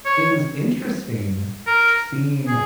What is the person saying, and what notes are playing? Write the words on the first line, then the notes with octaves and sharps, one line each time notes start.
it was interesting sh seeing
C#5
A#4
G#4